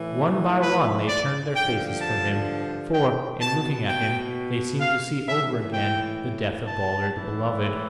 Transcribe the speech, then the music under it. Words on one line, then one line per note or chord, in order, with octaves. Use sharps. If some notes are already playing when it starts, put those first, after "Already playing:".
One by one they turned their faces from him; for, in looking at him, they seemed to see over again the death of Baldur the Beloved.
Already playing: A2 E3
B4
D5
G2 D3 F3 G5
A5
G5
B2 A5
G5
F5
A2 E3 E5
G5
A5
A2 E3